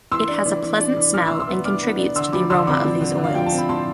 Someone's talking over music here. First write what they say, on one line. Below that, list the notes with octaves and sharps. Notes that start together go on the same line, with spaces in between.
It has a pleasant smell and contributes to the aroma of these oils.
E3 C6 E6
D4
E3
E3
D4
E3
E3 D6 F6
C6 E6
E3
C6 E6
B3
D4 D6 F6
B3
D4
D3 C6 E6
F3 B5 D6
D3 C6 E6
C4 B5 D6
F3
D3
D3
F5
F3 G5
A5
C4
B5
F3 A5 C6